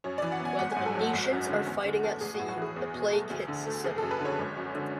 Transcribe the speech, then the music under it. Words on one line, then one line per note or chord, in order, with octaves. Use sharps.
While the Venetians are fighting at sea, a plague hits the city.
F#2 C#5
E3 D5
F#5
B3
G#5
G#1 F#5
G#2 G#5
A4
F#3 F#4
G#1
F#2
D3
E2
D3
A3
A1 G#4
F#4
A2
F#4
E3 G#4
E2
B2
A3
D2
D3
A3
F#1 G#4
F#2 A4
B4
D3 C#5
G#1
F#2
D3